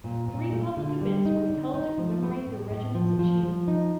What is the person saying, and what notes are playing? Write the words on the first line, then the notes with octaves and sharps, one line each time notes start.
Three public events were held to commemorate the regiment's achievements.
A#2
A#2
A3
D3
G3
D#4
D3
D#4
F3
A3
A2
A2
F3
F3
F3
D#4